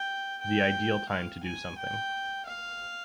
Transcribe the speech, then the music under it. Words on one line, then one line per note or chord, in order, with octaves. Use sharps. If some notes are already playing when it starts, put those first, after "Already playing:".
The ideal time to do something.
Already playing: G5
G5
F5
G#5
G5
F5